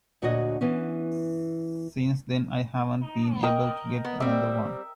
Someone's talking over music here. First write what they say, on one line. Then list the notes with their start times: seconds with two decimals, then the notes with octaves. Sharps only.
Since then I haven't been able to get another one.
0.22 D2 A#2 D3 F#4 C#5 D#5
0.61 E3 B3 C#4
3.43 A#4 D#5 G5
4.05 B3
4.20 G3 C4 E5